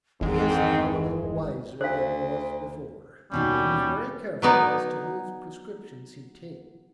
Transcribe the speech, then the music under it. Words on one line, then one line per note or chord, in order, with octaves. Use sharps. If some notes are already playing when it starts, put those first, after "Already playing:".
He is now a little wiser than he was before; and is very careful as to whose prescriptions he takes.
G1 E2 G#2 D#3 G#3 C4
D2 C5 F5
D#2 B2 G3 C#4 D#4
F#3 B3 D#4 D5